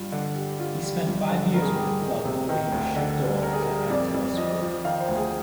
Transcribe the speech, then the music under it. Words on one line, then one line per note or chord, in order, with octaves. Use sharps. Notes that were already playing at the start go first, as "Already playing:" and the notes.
He spent five years with the club before he was shipped off to Antalyaspor.
Already playing: G2 F4
D3
G3
G3 F4
G3
G2 F4
D3
G2 A#4
G#4
G4
G2 G#4
D#3
C3
D#3
D2
D3
G3
G3 A#4
G#4
G3 A#4
F2 D5
F2
F3 D#5
F3
D#3 F5
C5
D2
G#4